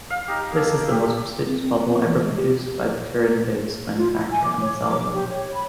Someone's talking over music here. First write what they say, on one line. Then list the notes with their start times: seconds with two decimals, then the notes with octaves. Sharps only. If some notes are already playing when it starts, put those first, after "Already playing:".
This is the most prestigious model ever produced by the Turin-based manufacturer Ansaldo.
0.10 F5
0.28 D#4 G4
0.52 A#3 A4
0.88 A3 G4
1.46 C4
1.61 C4
1.88 B3
2.04 E3
2.23 G#3
2.36 G4
3.96 F4
4.13 E4
4.30 G#5
4.41 D6
4.60 C#5
4.81 D6
5.12 G4
5.28 C#5
5.52 B5